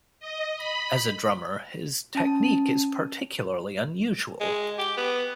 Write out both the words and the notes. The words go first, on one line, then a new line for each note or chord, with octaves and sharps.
As a drummer, his technique is particularly unusual.
D#5
B5
C#4 A5
G#3
G4
B3